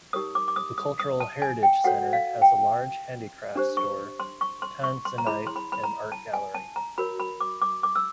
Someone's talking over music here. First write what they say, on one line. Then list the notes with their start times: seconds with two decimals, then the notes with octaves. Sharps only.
The Cultural Heritage Center has a large handicrafts store, Tanzanite, and art gallery.
0.13 D#4 G4 A#4 C#5 D#6
0.35 D6
0.48 D6
0.56 D#6
0.78 D#6
0.99 D#6
1.20 A5
1.42 G#5
1.63 G5
1.84 F#4 A4 C#5 F#5
2.13 F5
2.42 G5
3.56 D4 G4 C5
3.77 C#6
4.20 C6
4.41 C#6
4.62 C6
4.84 C#6
5.05 C6
5.18 A#5
5.26 E4 G#4 C#5 B5
5.47 C6
5.56 B5
5.72 B5
5.84 A#5
6.12 A5
6.34 G#5
6.54 A5
6.76 A#5
6.98 F#4 A#4 C#5 B5
7.20 B5
7.41 D6
7.62 D6
7.83 D6
7.96 E6